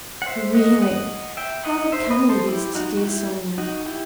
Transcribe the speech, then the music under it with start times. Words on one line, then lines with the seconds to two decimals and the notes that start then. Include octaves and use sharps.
Really, how becoming it is to dear Sonya.
0.22 F#5
0.26 C5 E5
0.54 D#5 F#5
0.82 D#5 F#5
1.37 E5 G5
1.65 D#5 F#5
1.92 C5 E5
2.10 B4 D#5
2.29 A4 C5
2.48 E4 G4
2.75 D#4 F#4
2.97 F#4
3.03 E4 G4
3.58 D#4 F#4
3.86 E4 G4